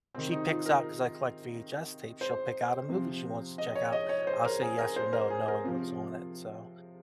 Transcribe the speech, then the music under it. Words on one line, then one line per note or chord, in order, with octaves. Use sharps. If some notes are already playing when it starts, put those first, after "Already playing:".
she picks out 'cause I collect VHS tapes, she'll pick out a movie she wants to check out, I'll say yes or no, knowing what's on it, so
C3 D#3 C4
D#4
F4
A#4
C5
C3 F3
D#5
C#5
D#5
C#5
C5
A#4
G#4
A#4
C5
A#4
G#4
A#4
C3 F3 F4